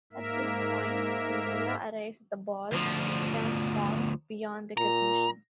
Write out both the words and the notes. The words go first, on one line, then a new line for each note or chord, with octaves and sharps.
At this point, Cinderella arrives at the ball, transformed beyond recognition.
G#2 A#3 A#4 E5
D2 F3
A#2 A#5